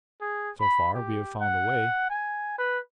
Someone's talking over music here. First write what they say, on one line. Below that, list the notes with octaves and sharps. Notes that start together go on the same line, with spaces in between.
So far we have found a way.
G#4
B5
G4
F#5
G#5
B4